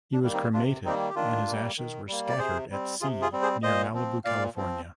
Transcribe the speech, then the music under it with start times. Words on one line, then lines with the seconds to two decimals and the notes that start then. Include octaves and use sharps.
He was cremated and his ashes were "scattered" at sea near Malibu, California.
0.13 D4
0.23 D#3 G3 A#3
0.33 C4 D#4
0.53 C3 D4 F4
0.85 D#3 G3 A#3 C4 D#4
1.09 G4
1.15 D#3 D4 F4
1.47 G3 A#3
1.78 D#3
2.08 G3 A#3
2.29 D5
2.39 C3 G#4 C5
2.71 G3 C4
3.01 C3 F4 G#4
3.22 F4 G#4
3.32 G3 C4
3.42 G#4 C5
3.63 A#2 C5 D#5
3.93 F3 C4
4.25 A#2 D5 F5
4.55 F3 C4